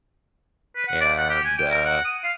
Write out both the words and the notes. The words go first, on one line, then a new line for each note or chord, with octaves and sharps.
and, uh,
B4
F#5
D5
F#5
G4
G#5
G5
A#4
F#5
D#6
F5